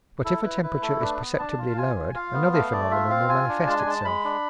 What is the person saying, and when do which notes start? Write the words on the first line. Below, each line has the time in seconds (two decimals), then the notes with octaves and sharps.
But if a temperature is perceptibly lowered another phenomenon will manifest itself.
0.25 E4 A4
0.44 E4 B4
0.63 E4 B4
0.82 A3 A4
1.01 D4 B4
1.20 B3
1.39 D4 A5
1.58 F4
1.69 F5
1.77 F4 G#5
1.95 F4
2.15 F4 F5
2.34 B3
2.53 A3 F5
2.72 A3 D5
2.91 F4 E5
3.09 C4 F5
3.29 F4 G#5
3.49 D4
3.67 G#3 A5
3.79 G#5
3.86 G#3 A5
4.05 G#3 B5
4.25 D4